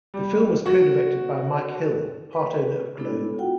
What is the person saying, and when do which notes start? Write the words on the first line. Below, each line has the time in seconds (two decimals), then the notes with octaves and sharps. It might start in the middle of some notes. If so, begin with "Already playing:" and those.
The film was co-directed by Mike Hill, part owner of Globe.
0.14 G3
0.66 F#4
2.33 B4
2.97 G#3 B3 D4 E4 A4
3.38 F4 F#4 F#5 G5